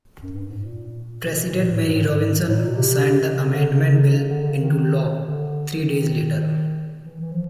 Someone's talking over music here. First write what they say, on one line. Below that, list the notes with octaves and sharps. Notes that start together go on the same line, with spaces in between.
President Mary Robinson signed the amendment bill into law three days later.
F#2
G2
G#2
A#2
B2
A#2
B2
A#2
A2
G#2
A2
G#2
A2
A#2
B2
C3
C#3
D3
C#3
D3
D3
C#3
D#3
D3
D#3
E3
E3
F3